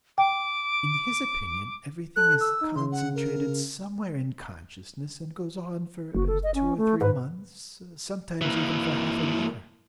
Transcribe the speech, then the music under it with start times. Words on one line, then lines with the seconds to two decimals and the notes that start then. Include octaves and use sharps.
In his opinion everything is concentrated somewhere in consciousness and goes on for two or three months ... sometimes even for half a year....
0.18 G5 D6
2.16 A4 F#6
2.41 E6
2.61 D#4
2.76 C#3 C6
2.92 F#5
3.15 A#4
6.15 F#1 F#4
6.27 A4
6.43 D#5
6.55 C#4
6.77 A3
7.01 G#2 B4
8.41 E3 A#3